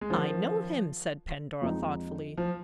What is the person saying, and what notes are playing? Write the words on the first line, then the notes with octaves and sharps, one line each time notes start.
"I know him," said Pandora, thoughtfully.
G#3
D#3 F3 C#4
F2 F3 G#3 D#4
F3